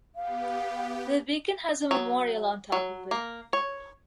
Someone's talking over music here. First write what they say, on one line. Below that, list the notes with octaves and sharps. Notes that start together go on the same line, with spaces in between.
The beacon has a memorial on top of it.
B3 G4 F5
F#3
F#3
A#3
C#5